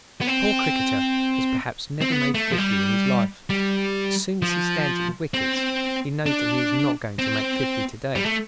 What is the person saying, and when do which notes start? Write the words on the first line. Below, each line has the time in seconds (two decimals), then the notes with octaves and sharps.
The poor cricketer has perhaps never made fifty in his life; as soon as he stands at the wickets he knows that he is not going to make fifty to-day.
0.21 B3
0.27 C4
2.01 C4
2.12 B3
2.34 A3
2.52 F3
2.58 G3
3.50 G3
4.42 F3
5.34 C4
6.26 D4
7.19 C4
8.16 G3
8.25 A3